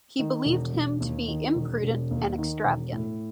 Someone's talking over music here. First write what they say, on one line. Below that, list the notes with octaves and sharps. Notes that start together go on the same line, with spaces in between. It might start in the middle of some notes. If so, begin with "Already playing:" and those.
He believed him to be imprudent and extravagant.
D#3
E1
E1
D#2
D#3
E1
E1
D#2
D#3
E1
A2